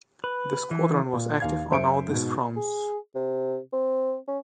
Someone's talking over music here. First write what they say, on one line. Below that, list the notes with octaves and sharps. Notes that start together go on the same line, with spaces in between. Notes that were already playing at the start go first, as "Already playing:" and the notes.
The Squadron was active on all these fronts.
B4
E3
A#2
D#2 F5 G#6
F#2 C5 E5 C#7 D7
G#2 B2
G#4
C3
C4
C#4